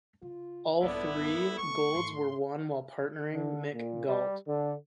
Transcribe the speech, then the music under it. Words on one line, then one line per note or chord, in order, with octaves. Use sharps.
All three golds were won while partnering Mick Gault.
C#3 F4
A#1 G2 D3 B3 E4 D5
A#3
A3 C4 E4 C#6
G#2 C6
D3
A#2
G3
D3